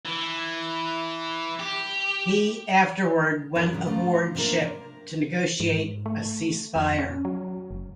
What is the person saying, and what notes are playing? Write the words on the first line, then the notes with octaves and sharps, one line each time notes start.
He afterward went aboard ship to negotiate a cease fire.
E3
G4
E2 B3 D4 A#4
C#3 E3 F3 G3
A3 F4 A#5
C3 A#3 D4 A#4
G#2
A3
F2
C#4
F#3
F#1